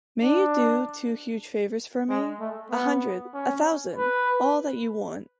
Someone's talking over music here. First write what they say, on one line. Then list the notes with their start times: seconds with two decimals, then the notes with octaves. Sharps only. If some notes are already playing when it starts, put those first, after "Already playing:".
May you do two huge favors for me? A hundred, a thousand, all that you want.
0.22 D4
2.10 G#3
2.40 A3
2.71 B3
3.34 C#4
3.96 B4